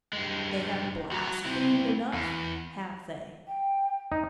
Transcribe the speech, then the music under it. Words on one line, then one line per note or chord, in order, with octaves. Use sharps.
They have blasphemed enough, have they.
G2 G#3
F#4 A#5
C4 E4
E2
G5
D#4